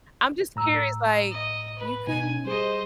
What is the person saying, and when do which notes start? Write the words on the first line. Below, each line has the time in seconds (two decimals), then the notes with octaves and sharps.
I'm just curious, like, "You couldn't,
0.56 A2 A#5 E6
1.32 D#5
1.78 B4
2.07 B2 D#4 G#5
2.46 G3 G#4 C5 D#5